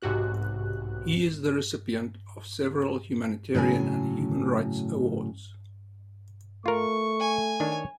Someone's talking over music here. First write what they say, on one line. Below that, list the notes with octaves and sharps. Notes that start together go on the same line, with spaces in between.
He is the recipient of several humanitarian and human rights awards.
B1 G#2 C3 F#4 G4 F#6
A2 C#3 F#3 F5 G#5
A3 F4 A#4 C#6
G#5
D#3 D4 C#5